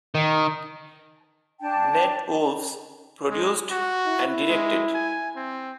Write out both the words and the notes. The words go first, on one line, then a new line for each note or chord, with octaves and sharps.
Nat Wolff produced and directed.
D#3
D4 G5 A5
G#3
F#4
E4
G#3
G#5
C4